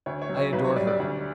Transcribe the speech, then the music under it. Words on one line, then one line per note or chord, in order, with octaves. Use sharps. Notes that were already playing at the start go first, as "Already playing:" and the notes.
"I adore her!"
D2 C#5
C#5
F#3
C#5
B1 B4
C#5
G3 D5
D5
D2 D5